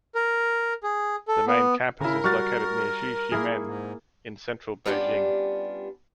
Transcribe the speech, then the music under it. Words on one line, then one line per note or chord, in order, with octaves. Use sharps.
The main campus is located near Xizhimen in central Beijing.
A#4
G#4
A4
B3
C#3 E4 A#4
G3 F#4 C#6 F6 A6
A#3 E4 G#4
G#2
G3 B3 C#4 D4 F4 G4